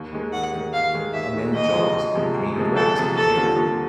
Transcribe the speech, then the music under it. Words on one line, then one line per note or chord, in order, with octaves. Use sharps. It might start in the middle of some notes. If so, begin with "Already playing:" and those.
A man jogs on green grass with bare feet.
Already playing: D#2
D#3 G#3
D#2 F#5
D#3 G#3
D#2 F5
D#3 G#3
D#2 E5
D#3 G#3
D2 D#5
C3 F3 G#3
D2
C3 F3 G#3
D2
C3 F3 G#3
D2 A4
C3 F3 G#3
D#2 A4
D3 G3 C4 F4
D#2